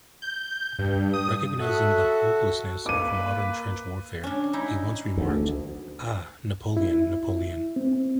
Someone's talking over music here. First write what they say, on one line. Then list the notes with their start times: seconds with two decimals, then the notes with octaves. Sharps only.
Recognizing the hopelessness of modern trench warfare, he once remarked: Ah, Napoleon, Napoleon.
0.22 G6
0.79 G2
1.13 D#6
1.60 F#4 A4 E5 F#5
2.86 A#3 B4 D6 D#7
4.23 C#4 D4
4.53 D#4 E4
5.17 D2
6.77 E4
7.76 C4